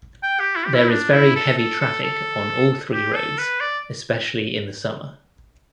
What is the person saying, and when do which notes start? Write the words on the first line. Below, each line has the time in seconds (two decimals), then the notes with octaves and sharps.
There is very heavy traffic on all three roads, especially in the summer.
0.23 G5
0.40 G4
0.56 E4
0.66 G4
0.74 E4
0.90 D4
1.13 E4
1.36 A4
1.57 A4
1.80 A4
2.03 A4
2.93 G4
3.16 A4
3.38 B4
3.60 D5